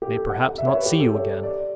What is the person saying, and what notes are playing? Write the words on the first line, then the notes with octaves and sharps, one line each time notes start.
"I may perhaps not see you again..."
G4
A4
F#5
F#5
E5
C#5
B4
G4
A4
C#5
D5